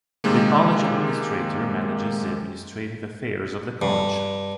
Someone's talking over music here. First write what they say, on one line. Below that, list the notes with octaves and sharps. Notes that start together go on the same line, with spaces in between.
The College Administrator manages the administrative affairs of the college.
C3 D#3 G#3 A#3
G2